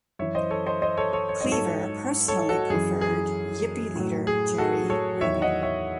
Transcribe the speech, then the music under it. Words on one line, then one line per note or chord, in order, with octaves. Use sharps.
Cleaver personally preferred Yippie leader Jerry Rubin.
F#2 E3 C#5 E5
C5 D#5
A4 C#5
C5 D#5
C5 D#5
A4 C#5
A4 C#5
C#5
G#2 F#3 D#5
A4 C#5
A4 C#5
F#4 A4
F#2 E3 G#4
G#4
A2 F#3
G#4
F#4 A4
A4 C#5
E2 D#3 F#3 C#5 E5
D#5 F#5
C#5 E5